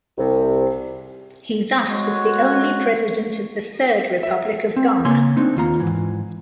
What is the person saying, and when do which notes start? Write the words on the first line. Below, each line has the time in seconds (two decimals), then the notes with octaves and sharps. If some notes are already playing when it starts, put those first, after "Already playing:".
He thus was the only president of the third republic of Ghana.
0.18 C2 C3
1.89 G#3 F#4 C#5
4.23 E5
4.76 C4
5.05 C#3 A#3 C#5 G#5 C6
5.37 A3 C4 D4 D#4
5.57 D#2 F4 A#5
5.80 G#2 E3